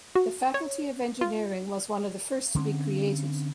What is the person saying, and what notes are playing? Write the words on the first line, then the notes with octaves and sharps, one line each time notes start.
The Faculty of Engineering was one of the first to be created.
F#4
C#5
F4
D3 C4 C#4